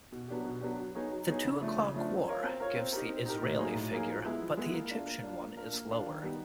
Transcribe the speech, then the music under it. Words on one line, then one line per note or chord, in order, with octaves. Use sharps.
"The Two O'Clock War" gives the Israeli figure but the Egyptian one is lower.
B2
F#3 B3 D4 G4
B2
F#3 B3 D4 G4
F#3
B3 D#4 G#4 C#5
F#3
B3 D#4 G#4 C#5
C#3
F3 A3 D4
C#3
F3 A3 D4
C4
F4 A#4 C#5
C4
F4 A#4 C#5
C4
D#4 G4 A#4
C4
D#4 G4 A#4
A2
F#3 A#3 D#4 G#4
A2
F#3 A#3 D#4 G#4
F3
G#3 B3 E4
F3
G#3 B3 E4
A#3
D4 F4
A#3
D4 F4
A#3
D4 F4 A#4
A#3
D4 F4 A#4
D#3
G3 B3 D#4 G4